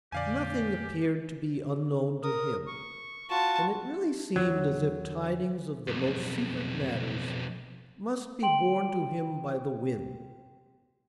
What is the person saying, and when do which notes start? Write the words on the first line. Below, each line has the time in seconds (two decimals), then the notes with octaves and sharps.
Nothing appeared to be unknown to him, and it really seemed as if tidings of the most secret matters must be borne to him by the winds.
0.12 F2 A#2 D3 G4 D5 F5 G#5
2.23 A#4 D#6
2.67 C#6
3.31 F4 F#4 A5 C#6
4.36 E2 D3 D#3 F#3
5.88 B1 F2
8.43 G5 C6 D7 F#7